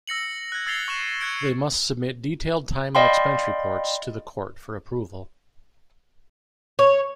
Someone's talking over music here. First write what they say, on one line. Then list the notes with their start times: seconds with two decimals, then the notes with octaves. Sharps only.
They must submit detailed time and expense reports to the court for approval.
0.07 E6 A#6 C#7 F#7
0.52 F#6 G#6
0.67 E6 G#6 A6 C7 F7 G7
0.88 C#6 F#6 E7
1.21 F#6 G#6 C#7 D7
2.95 D5 D#5 F5 G5 B5 C6
6.79 C#5